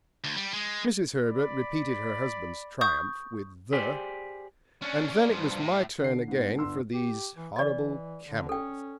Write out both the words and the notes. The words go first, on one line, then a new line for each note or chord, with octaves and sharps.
Mrs. Herbert repeated her husband's triumph with "the," and then it was my turn again for these horrible camels.
D2
G3
G#3
D5 B5
C#6 D#6 G6
G4 G#4 C5 D5
C#4 D4
C#4 D5
G2 F3
A2
D3 C7
G#2 B3
G1 C6 E6
G4
E3
E3 D5 D#5
D3
C#4 A4 G5